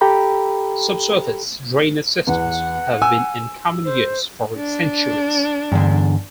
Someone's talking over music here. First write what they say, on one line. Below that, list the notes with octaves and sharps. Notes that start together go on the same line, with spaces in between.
Subsurface drainage systems have been in common use for centuries.
G4 A4 G5 A#5 B5
E2 F#5
G#5 E6
C5
D4
E2 G2 D3